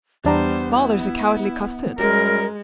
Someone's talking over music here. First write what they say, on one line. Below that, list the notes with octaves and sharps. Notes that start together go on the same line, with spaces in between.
"Father's a cowardly custard."
E2 G3 B3 D4 C5 A#5
E4
F#2 G3 G#3 A#4